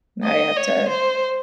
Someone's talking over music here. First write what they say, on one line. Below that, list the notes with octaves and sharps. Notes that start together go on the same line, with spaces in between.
now I have to
D#5
C#5
C5